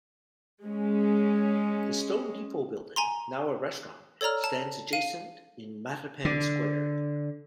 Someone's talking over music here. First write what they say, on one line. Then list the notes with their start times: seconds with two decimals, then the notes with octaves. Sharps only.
The stone depot building, now a restaurant, stands adjacent in Mattapan Square.
0.63 G#3 C#4
2.96 G#5 A#5 C6
4.21 A4 C#5 D5 A#5 F6
4.44 A5
4.93 F5 D#7
6.25 D3